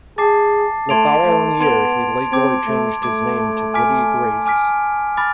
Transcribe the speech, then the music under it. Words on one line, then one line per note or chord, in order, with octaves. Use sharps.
The following year he legally changed his name to Goody Grace.
G#4 A5 D6 A6 C7
A3 A5 C6 G#6 D7 F7
A3
B3 A5 C6 G#6 D7 F7
C4 D6 G#6 D7
A3
A3 D6 G#6 D7
G#5 D6 F6 B6 D7
G#5 D6 F6 B6 D7
B5 D6 F6 A6